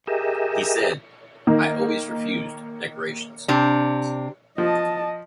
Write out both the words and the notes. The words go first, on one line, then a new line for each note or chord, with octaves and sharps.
He said: I always refused decorations.
G4 G#4 A#4 D#5 E5
D#3 A#3
C3 D4
F3 D#5 A5